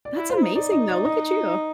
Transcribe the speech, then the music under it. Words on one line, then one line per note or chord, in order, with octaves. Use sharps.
That's amazing, though. Look at you.
D5
E4
F4 C5
E4
D#4
D#4 D5
D#5
D5
D#5